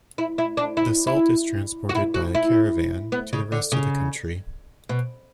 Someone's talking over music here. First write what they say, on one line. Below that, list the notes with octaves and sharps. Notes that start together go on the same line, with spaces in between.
The salt is transported by caravan to the rest of the country.
E4
E4
D4
E4
E4
F#4
E4
F#4
E4
B3
C#3
D3
C#3
B2